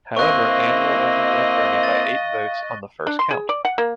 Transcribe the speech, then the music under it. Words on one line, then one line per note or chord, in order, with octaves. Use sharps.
However, Anwyl only led Birney by eight votes on the first count.
A#3 C4 E4 D#5 F5 C#6 F#6
A6
D4
C6
G#4
D5
F#5
A#3